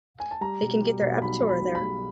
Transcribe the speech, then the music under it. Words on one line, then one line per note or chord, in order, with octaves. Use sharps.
They can get their Abitur there.
G#5
A5
G3 A#5
B2
G3
B2
B1 B5
B2
B5
B1
B5
G3